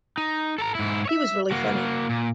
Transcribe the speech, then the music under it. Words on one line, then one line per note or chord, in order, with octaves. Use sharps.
He was really funny.
D#4
A4 A#5
G#2 E4
C#5 E5
A#3 F#4
A#2